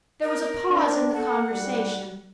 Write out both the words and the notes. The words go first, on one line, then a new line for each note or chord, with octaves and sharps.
There was a pause in the conversation.
A#4
C4 D4
A4 F#5
B1 G3